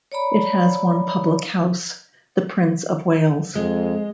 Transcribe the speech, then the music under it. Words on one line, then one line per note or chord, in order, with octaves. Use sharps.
It has one public house, the Prince of Wales.
C#5 D5 A#5 B5
F2 G#3